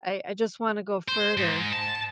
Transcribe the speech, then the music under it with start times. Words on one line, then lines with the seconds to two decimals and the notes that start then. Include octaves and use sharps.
I I just wanna go further.
1.08 C5
1.37 G#2
1.72 A5